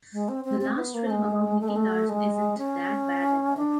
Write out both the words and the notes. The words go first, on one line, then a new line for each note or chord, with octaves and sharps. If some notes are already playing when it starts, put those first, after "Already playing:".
The last film about Nicky Larson isn’t that bad at all.
G#3
C4
C4
C4
B3
A#3
A3
G#3
A3
G#3
A3
G#3
C#4
D4